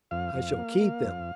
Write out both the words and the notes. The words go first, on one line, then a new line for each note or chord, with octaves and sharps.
I shall keep them.
F2 F5
F2
A#3
A#3
F2